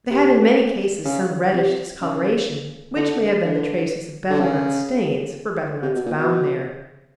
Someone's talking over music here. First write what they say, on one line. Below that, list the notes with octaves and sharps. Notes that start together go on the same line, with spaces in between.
They had in many cases some reddish discoloration, which may have been the traces of betel-nut stains: for betel-nuts abound there.
C3
C#3
C3
C#3
D3
D3
D3
C#3
C3
B2
A#2
B2